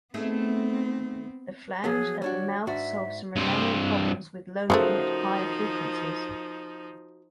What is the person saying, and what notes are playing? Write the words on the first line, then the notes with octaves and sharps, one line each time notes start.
The flange at the mouth solved some remaining problems with lobing at higher frequencies.
A3 B3 C4 D#4 G#4
F3 F#3 B3 G#4
G3 D4 F#4 C#5
G#2 D4 F#4 E5
G2 C4
C#3 F3 G#3 A3 D#4 F#4 A#4 C5